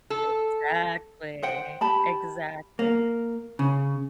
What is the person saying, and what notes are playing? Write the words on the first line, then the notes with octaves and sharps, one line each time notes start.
Exactly. Exactly.
A4
C5 F#5 G5
G4 A5 B5
A#3
C#3